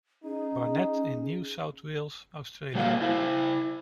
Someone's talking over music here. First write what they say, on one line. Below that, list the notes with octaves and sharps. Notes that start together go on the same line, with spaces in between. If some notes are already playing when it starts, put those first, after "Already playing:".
Barnett in New South Wales, Australia.
C#4 D#4 G#4
G3 A#3 F#4 A4 A#4 F5
E4 C5